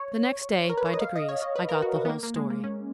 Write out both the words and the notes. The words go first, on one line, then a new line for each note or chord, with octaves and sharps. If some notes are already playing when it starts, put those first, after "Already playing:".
The next day, by degrees, I got the whole story.
Already playing: C#5
A#4
B4
C#5
D#5
F5
D#5
C#5
D#5
B4
A#4
F#4
F#4
B3
A#3
A#3
G#3
A#3
C#4